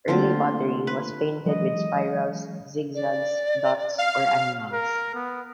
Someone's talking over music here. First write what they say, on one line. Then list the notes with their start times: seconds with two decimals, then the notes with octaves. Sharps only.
Early pottery was painted with spirals, zigzags, dots, or animals.
0.08 D3 A3 A#3 C4 F4 C6
0.87 B4
1.46 E3 F#3 G#3 D#5
2.95 D5
3.98 F5
4.73 A#4
5.14 B3